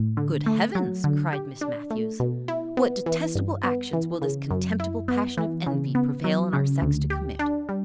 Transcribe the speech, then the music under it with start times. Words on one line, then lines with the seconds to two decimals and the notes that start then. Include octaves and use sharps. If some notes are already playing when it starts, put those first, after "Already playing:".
"Good heavens!" cried Miss Matthews; "what detestable actions will this contemptible passion of envy prevail on our sex to commit!"
Already playing: A2
0.17 D3
0.46 A3
0.75 F#3
1.04 D3
1.33 G4
1.61 D4
1.90 A3
2.20 B2
2.48 E4
2.77 B3
3.06 E3
3.35 G2
3.64 B3
3.93 E3
4.22 C#3
4.51 F#2
4.80 E4
5.08 B3
5.37 E3
5.66 C#3
5.95 B3
6.24 F#3
6.53 C#3
6.82 D2
7.10 G4
7.39 D4
7.69 G3